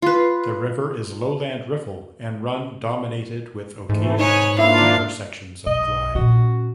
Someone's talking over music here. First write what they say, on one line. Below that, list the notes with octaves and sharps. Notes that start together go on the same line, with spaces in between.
The river is lowland riffle and run dominated with occasional deeper sections of glide.
F4 B4
G#2 E3 A3
D#4 B4 C#5 G#5
A#3 D4 E4 F4 F5
B1 D#5
A#2 C#4 F#4